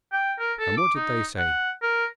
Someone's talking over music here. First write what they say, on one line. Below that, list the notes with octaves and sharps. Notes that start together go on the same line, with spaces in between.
'And what did they say?'
G5
A#4
A4
D6
D#4
F#5
A#4